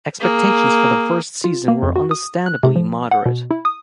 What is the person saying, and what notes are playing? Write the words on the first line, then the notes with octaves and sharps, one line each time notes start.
Expectations for the first season were understandably moderate.
A#3 G#4
F4
A#3
F2
F#4
D#6
F#6
C3
F3
F#5
B2
E4
D#6